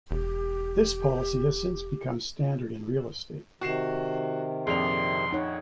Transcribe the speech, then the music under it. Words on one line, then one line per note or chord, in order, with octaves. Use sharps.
This policy has since become standard in real estate.
E1 G4
C3 D#3 F#4 C7 E7
A#1 F2 G#4 D5 C6 F7
D#4 C#5 F#5